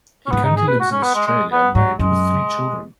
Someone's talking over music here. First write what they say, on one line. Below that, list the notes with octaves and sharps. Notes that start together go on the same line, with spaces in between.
He currently lives in Australia, married with three children.
C#4
G#2 B3
D#4
G#4
B4
F#4
C#4
B3
G#3
G#3
B3
G#2 F#3
F#2 G#3